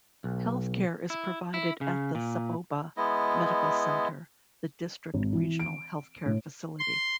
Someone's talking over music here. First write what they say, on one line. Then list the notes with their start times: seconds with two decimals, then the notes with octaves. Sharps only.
Health care is provided at the Saboba Medical Centre, the district regional healthcare facility.
0.24 B1
1.10 E4
1.54 E4
1.81 C#3
2.15 A#2
2.97 G#3 B3 E4 D#5
5.14 G#1
5.33 E3
5.60 D7
6.26 A2
6.79 C6